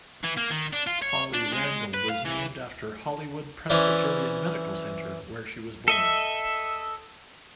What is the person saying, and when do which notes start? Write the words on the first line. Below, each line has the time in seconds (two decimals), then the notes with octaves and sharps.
Holly Randall was named after Hollywood Presbyterian Medical Center where she was born.
0.24 E3
0.38 A#3
0.52 D#3
0.73 D4
0.87 F4
1.02 C#5
1.34 D4
1.52 G#3
1.65 G#3
1.94 B4
2.09 F5
2.25 E3
3.70 E3 C#4 E4 C5 D5 B5
5.88 A4 D#5 E5